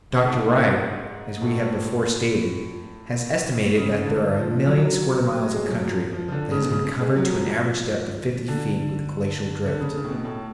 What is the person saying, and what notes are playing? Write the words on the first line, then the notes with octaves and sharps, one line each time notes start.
Dr. Wright--as we have before stated--has estimated that there are a million square miles of country that has been covered to an average depth of fifty feet with glacial drift.
G#2
A2
C#3
D3
F3
F#3
G#3
F3
F#3
F3
F3
F3
D3
C#3
B2
C#3
G#3
F#3
F3
D3
D3
C#3
C#3
A2
B2
A2